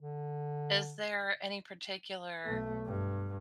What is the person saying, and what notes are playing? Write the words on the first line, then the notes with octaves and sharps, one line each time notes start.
Is there any particular
D3
B1 A3
G2